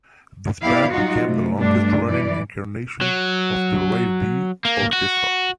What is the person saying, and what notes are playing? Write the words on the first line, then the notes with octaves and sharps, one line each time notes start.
This band became the longest-running incarnation of the RivBea Orchestra.
B3 E4 G4 D5 F5
F#3 G3 D#4 F4 F#4
C3 A3
G2 G3 A3 D4
F#2 E3 D5
F#3
A#3
F#4